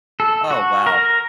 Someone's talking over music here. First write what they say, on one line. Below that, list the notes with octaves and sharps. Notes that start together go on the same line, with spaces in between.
Oh, wow.
A4
F#4
A#4